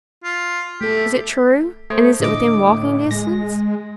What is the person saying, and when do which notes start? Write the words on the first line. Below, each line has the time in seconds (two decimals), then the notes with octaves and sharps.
Is it true?--and is it within walking distance?'
0.24 F4
0.81 A3 G4 A4
1.90 A3 C5
2.20 A2 D3 D#5 D6
3.11 G#3 A#6